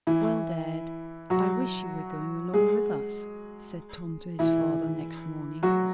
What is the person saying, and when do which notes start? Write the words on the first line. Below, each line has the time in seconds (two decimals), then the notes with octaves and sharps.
"Well, dad, I wish you were going along with us," said Tom to his father next morning.
0.07 E3 E4
1.30 F#3 F#4
2.53 G#3 G#4
4.39 E3 E4
5.63 F#3 F#4